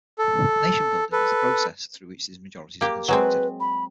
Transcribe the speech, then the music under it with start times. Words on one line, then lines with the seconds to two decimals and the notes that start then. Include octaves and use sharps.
Nation-building is the process through which these majorities are constructed.
0.18 A4
1.12 A4 B4
2.81 A#3 G4
3.08 F#3 G#3 C4 B4
3.60 B5